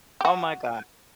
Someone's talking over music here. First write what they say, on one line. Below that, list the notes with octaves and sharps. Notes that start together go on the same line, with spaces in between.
oh my god.
F#4 G4